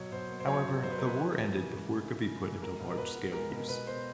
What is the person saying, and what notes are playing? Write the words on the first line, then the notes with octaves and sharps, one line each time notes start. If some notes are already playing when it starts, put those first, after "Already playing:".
However, the war ended before it could be put into large scale use.
Already playing: B2 F#3 C#5
B2 C5
A#3
C5
F#3 C#5
B2
B2 C5
B4
A#3 A#4
B4
E3
C#3
C#3
G#3
E3
C#3
C#3
G#3
G#3 A#4
B2
A#4
B2 B4
B3
G#3 A#4
B2 A#4
B2 B4
B3 C5